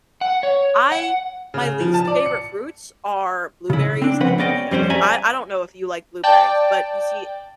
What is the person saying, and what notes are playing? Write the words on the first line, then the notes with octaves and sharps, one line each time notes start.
I my least favorite fruits are blueberries and tomatoes, I I don't know if you like blueberries, but you see
F#5
C#5
F#5
C#3
F3
A5
D5
C#7
C#3 E4
C4 D4
C#2 F3 C4 B4 C5 F#5
B3 C#4 D5 D#5 F#5 G5
F2 G3 C4 C#4 C5
D5 E5 G#5 A#5
D5 G5 A5 G6 A6